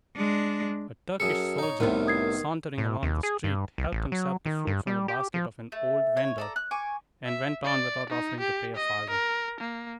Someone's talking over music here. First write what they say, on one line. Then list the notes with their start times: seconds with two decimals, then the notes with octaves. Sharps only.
A Turkish soldier, sauntering along the street, helped himself to fruit from the basket of an old vender, and went on without offering to pay a farthing.
0.15 G#3 D4
1.20 F#2 G#4 A4 C#7
1.58 D#4 C#5
1.80 C2 A2 C3 D#3 B3
2.07 D#6 G#6 C7
2.78 A2
3.03 D#2
3.23 G#4
3.44 G2
3.78 C2
3.92 A1
4.12 F#3
4.46 D#3
4.67 G2
4.87 G3
5.08 G4
5.34 F3
5.72 A3
6.17 C#5
6.38 A4 D5 A#5
6.56 F#6
6.71 G#5 C#6 D6
7.26 E5
7.64 D5
8.10 D#4
8.40 G4
8.76 D#5
9.10 A#4
9.60 A#3